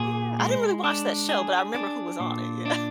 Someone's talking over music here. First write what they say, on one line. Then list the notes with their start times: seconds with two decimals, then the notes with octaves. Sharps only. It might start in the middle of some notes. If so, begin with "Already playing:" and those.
Yeah, I didn’t really watch that show, but I remember who was on it. Yeah.
Already playing: A#2 G#4
0.39 G#3
0.84 D4
1.29 G#4
1.74 D4
2.20 A#2
2.66 D4